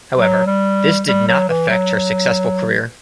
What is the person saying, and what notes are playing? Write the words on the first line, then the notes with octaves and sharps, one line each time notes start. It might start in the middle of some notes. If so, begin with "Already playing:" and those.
However, this did not affect her successful career.
F#3
G3
G3
F#3
E3
F#3